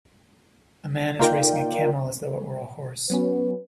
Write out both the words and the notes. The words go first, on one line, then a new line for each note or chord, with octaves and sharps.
A man is racing a camel as though it were a horse.
A#3 D#4 F4 A#4 D5 G5
F#3 B3 C#4 B4